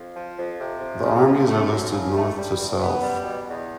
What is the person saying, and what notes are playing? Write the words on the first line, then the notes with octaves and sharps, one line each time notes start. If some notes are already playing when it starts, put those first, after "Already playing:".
The armies are listed north to south.
Already playing: F2
F3
F2
C3
F2
C#3
F3
A3
F#2
C#3
A3
G3
E2
B3
G3
B2
E2